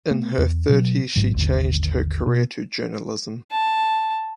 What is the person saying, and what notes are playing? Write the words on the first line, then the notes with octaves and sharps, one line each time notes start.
In her thirties she changed her career to journalism.
A3 B3
E2
B2 F#3
G#1 D#2 G#2 F#3
G#1 D#2 D3
B2
A5